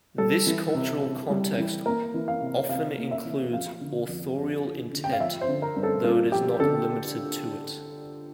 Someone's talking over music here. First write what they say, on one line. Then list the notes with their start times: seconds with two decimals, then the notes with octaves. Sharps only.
This cultural context often includes authorial intent, though it is not limited to it.
0.18 G3 A4
0.47 E3
0.74 C3
1.02 C3
1.30 G3
1.58 E3
1.86 A#3 A#4
2.14 E3
2.28 F5
2.42 C3
2.69 C3 F5
2.98 A#3
3.11 E5
3.25 E3
3.53 F3 F5
3.81 D3
4.09 F2
4.37 F2
4.65 F3
4.93 D3
5.04 G5
5.13 F5
5.20 F3 E5
5.41 C5
5.48 D3
5.62 A#4
5.76 G2
5.83 A4
6.04 G2 F4
6.32 F3 G4
6.60 D3 A4